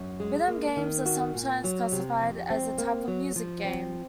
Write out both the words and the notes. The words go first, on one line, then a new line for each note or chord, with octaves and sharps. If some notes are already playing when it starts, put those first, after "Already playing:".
Rhythm games are sometimes classified as a type of music game.
Already playing: F#2
G#3
A#3
D#3
F#4
A#2
F#3
C3
F2
C4
A#3
F#3
F3
C4